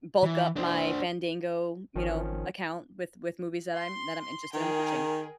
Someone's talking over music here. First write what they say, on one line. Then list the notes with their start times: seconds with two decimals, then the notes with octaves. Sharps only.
bulk up my Fandango, you know, account with with movies that I'm that I'm interested in watching.
0.23 E3
0.56 D4 C5
1.96 G#1 D#3 F3 C#4
3.75 C6
4.54 D#3 G#4 A#4 G5